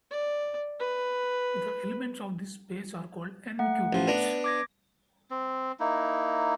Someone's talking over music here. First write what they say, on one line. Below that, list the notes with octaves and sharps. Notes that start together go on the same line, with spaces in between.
The elements of this space are called "n"-qubits.
D5
B4
A3 F#5
A1 F3
B3 D4 A#5
D6 G#6 A#6
C4
A#3 D#4 E4